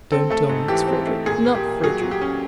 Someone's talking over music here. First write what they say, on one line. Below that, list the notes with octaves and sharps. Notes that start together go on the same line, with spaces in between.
Don't tell me it is Frederick--not Frederick.
C4 A4
A3 A4
G#2
E3 G4
C4
A3
A#2 G#4
A#3
G4
A#2
F#3 G#4
F#3
G4
C#4